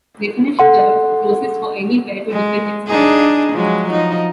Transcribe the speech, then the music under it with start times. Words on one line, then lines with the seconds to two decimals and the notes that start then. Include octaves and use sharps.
They finished third, the closest for any pair to defend its Pairs title.
0.59 A4 F#5 C6
2.31 G#3
2.87 D4 D#4 G#4
3.52 F3 F#3 G#3
3.88 F3 D#4